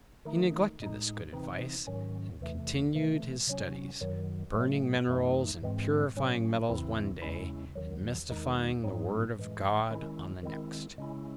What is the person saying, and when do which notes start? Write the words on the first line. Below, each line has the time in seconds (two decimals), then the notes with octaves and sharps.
He neglected this good advice, and continued his studies; burning minerals and purifying metals one day, and mystifying the Word of God on the next.
0.25 D#3 A3 D#4
0.80 A2 G#3 D#4
1.33 C3 E3 C4 D#4
1.87 G#2 D#3 F#3 C#4
2.41 E2 C3 E3 A3
2.94 C3 E3 A3
3.47 C3 F#3 C#4
4.01 F#2 D#3 F#3
4.54 A2 F#3 A3
5.08 F#2 E3 A3 D#4
5.62 G#2 E3 G#3 C4
6.15 A2 F#3 C#4
6.69 E2 C#3 E3 C4 E4
7.22 E2 C#3 G#3 C#4 E4
7.75 E2 D#3 F#3
8.30 E2 D#3 G#3 D#4
8.83 G#2 F#3 C4 D#4
9.37 A2 E3 G#3
9.90 D#3 G#3 C#4 E4
10.43 D#3 G#3 C4 E4
10.98 C#3 G#3 C#4 E4